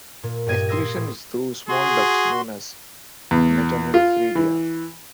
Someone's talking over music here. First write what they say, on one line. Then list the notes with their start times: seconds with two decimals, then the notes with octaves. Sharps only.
Excretion is through small ducts known as metanephridia.
0.23 A#2
0.47 G2 G4 D#5 G#6 D#7
0.68 C6 D#6 E6 G#6 A#6
0.94 A2
1.69 F#4 G#4 C6
3.31 E2
3.94 F4
4.35 E3